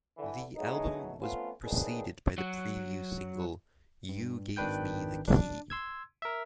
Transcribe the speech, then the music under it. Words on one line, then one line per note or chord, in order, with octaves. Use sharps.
The album was preceded by the preview single "You Gave Me the Key".
D3 E3
B2 F#3 G#3 A3 D#4
F2 A3 B3 C#4 F4 A4
F2 A2 D#3 D4 G#4 B4
F#3 F#4
G2
G#1 D#3 D4 B4 G5 G6
D4
C6 E6 G#6
A#4 E5